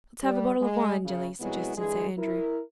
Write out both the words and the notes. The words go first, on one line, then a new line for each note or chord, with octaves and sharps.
"Let's have a bottle of wine, Jelly," suggested Sir Andrew.
G3
G#3
F#2 C#3
C3 F#3 G#3 B3 E4 F#4
G2 D3 E3 G#3 G#4
E4 A#4